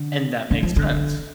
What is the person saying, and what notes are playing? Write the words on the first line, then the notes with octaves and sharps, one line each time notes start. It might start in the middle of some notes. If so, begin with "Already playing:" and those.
and that makes sense.
Already playing: D3
D3
F3
D3